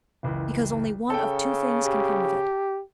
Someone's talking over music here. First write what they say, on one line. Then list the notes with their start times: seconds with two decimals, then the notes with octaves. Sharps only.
"Because only one of two things can come of it."
0.23 F#1 C#2 E3
1.10 C#3 A4 G5
1.83 G4